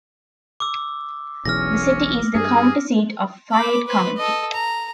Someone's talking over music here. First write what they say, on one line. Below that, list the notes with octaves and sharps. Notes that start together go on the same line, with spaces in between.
The city is the county seat of Fayette County.
D6 E6
E1 B1 E2 C#4 F6 A#6
G2 G#4
B5 D6
B4 C5
A4 D#5
A#5